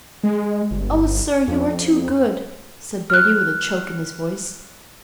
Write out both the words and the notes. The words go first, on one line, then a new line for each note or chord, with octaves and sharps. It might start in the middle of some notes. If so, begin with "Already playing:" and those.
"Oh, sir, you are too good," said Bertie with a choke in his voice.
G#3
G1
F2
F6 F#6